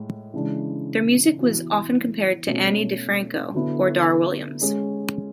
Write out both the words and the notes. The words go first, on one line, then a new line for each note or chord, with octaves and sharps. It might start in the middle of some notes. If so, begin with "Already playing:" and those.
Their music was often compared to Ani DiFranco or Dar Williams.
Already playing: A2 G#3
C#3 E3 G#3 D4
E3 B3 F#4
B2 A3 C#4 F#4 A4
D3 F#3 B3 E4
G#3 C#4 G#4